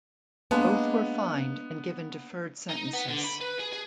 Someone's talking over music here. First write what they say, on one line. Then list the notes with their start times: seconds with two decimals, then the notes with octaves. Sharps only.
Both were fined and given deferred sentences.
0.51 G#3 A#3 B3 D4
2.69 D#4
2.93 B3
3.08 D3
3.24 B5
3.41 B4
3.59 G#4
3.73 G#4